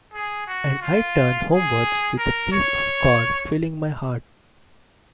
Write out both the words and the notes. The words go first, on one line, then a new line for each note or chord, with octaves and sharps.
And I turned homewards with the peace of God filling my heart.
G#4
F#4
F4
G#4
A#4
C#5